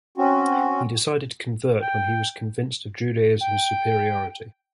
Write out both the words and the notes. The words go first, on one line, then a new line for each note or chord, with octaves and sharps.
He decided to convert when he was convinced of Judaism's superiority.
C4 C#4 F#4
G5
G5